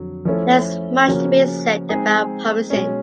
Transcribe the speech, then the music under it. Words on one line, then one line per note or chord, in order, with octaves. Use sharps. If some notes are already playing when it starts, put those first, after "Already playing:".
There is much to be said about promising.
Already playing: F2 D3 F#3
F3 A3 C#4 E4 A4
C#3 F3 A#3 C#4 F#4
G#3 C4 D#4 G#4
B2 G#3 C#4